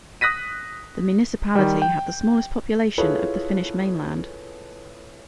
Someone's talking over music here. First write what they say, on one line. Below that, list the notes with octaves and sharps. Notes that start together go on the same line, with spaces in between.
The municipality had the smallest population of the Finnish mainland.
D#6 F#6 A#6 B6 D#7
D#3 G3
G5
E4 F4 G#4 A4 B4 C#5